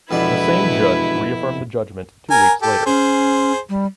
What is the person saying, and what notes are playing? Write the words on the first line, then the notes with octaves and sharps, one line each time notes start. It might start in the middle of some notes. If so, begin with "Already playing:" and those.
The same judge reaffirmed the judgment two weeks later.
E1 F2 B2 E4 B4 D5
A#4 G#5
G4 A4
C#4 G#4 C5
G3